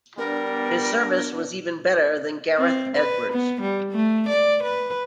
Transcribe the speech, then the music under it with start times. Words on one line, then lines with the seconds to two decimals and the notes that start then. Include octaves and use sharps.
His service was even better than Gareth Edwards.
0.18 G3 B3 D4 A#4
2.58 C4
2.97 B4
3.32 B3
3.61 G3
3.91 A3
4.29 D5
4.63 B4